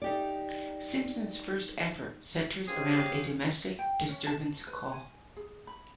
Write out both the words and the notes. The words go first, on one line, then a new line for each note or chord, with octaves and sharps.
Simpson's first effort centers around a domestic disturbance call.
D#4 G4 D5
C4 C#4 G4 G#4 C5 F5
G5
C#4
A5
B4
G#5
G#4
B5